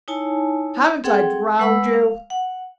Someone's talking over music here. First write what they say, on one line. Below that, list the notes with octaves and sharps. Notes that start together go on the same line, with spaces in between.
'Haven't I drowned you?'
D#4 E4 C#5 G#5 A5
C4 G#4 A4 F#5 G5
G#3 B4 F#5 B5 E6
F5
F#5